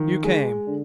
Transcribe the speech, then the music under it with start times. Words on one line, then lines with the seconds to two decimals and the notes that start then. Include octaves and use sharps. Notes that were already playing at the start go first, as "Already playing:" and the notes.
You came.
Already playing: D#3 F3
0.24 G#3
0.67 D3